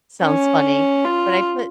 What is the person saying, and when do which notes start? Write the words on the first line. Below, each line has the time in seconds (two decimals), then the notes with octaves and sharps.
sounds funny, but I put
0.22 C#4
1.04 F4